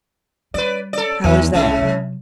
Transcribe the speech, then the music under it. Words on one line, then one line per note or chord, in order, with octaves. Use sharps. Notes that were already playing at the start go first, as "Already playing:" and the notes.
"How is that?"
G3 B4 D5
A4 D5
E2 D#3
C2 C#3 G#3 E4
C3 F#3